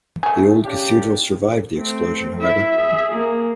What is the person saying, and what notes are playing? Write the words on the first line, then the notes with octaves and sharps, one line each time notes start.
The old cathedral survived the explosion, however.
A3 G#4
C#3 D4 G4
A3 C4
E4 E5
G#4
A#3